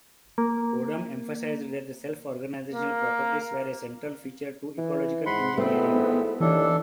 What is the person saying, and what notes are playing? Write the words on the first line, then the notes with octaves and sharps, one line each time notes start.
Odum emphasized that self-organizational properties were a central feature to ecological engineering.
A#3
A#3
E3
G#2 F#5 B5 C6
G#1 A3 B3 C4 E4
D#2 E3 D4 A4